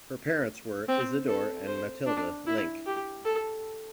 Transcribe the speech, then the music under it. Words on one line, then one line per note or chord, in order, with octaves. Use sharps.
Her parents were Isidor and Mathilde Link.
C4
A4
C5
D4
E4
G4
A4